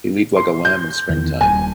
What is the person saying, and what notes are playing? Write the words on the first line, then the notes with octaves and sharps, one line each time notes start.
He leaped like a lamb in springtime.
C6
G6
E2 D#3
D#1 G#5